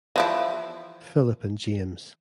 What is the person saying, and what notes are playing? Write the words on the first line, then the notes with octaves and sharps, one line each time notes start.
Philip and James.
E3 F3 E4